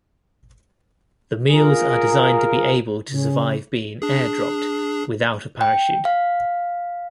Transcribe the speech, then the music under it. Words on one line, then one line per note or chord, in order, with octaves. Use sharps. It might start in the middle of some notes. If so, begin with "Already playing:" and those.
The meals are designed to be able to survive being air-dropped, without a parachute.
F4 G#4 A#4
C#3
D4 G#4
G5
F5